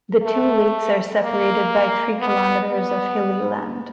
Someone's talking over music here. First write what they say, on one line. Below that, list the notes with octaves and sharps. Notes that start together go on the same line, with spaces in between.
The two lakes are separated by three kilometers of hilly land.
A3
A#3
B3
B3